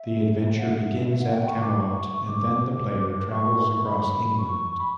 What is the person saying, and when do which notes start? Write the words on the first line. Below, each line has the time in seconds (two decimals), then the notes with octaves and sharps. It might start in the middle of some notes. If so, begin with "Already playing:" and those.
The adventure begins at Camelot and then the player travels across England.
Already playing: E5
0.59 F#5
0.68 E5
1.21 F#5
1.34 G5
1.47 C#6
1.60 D6
1.73 D6
1.78 C#6
2.26 D6
3.32 C#6
3.85 B5
4.38 C#6
4.78 B5